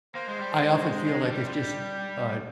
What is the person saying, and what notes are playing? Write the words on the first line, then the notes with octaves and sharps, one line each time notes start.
I often feel like it's just, uh,
A#3 C5
G#3
G3
G#3
G#3
F3
G3
F3
G3